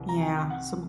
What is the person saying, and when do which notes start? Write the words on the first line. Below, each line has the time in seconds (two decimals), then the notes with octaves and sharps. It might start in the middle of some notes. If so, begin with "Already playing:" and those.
yeah, so
Already playing: C2 C3 E3
0.09 A#5
0.22 G#5
0.36 G5
0.50 F#5